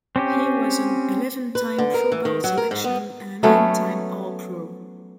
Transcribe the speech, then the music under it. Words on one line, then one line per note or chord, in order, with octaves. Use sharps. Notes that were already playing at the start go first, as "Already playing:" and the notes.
He was an eleven-time Pro Bowl selection and a nine-time All-Pro.
C4 C#4 G4
B4
D3
A#4
E3
D#3
F#3
A#4
G#2
B3
F#3 A3 B3 C#4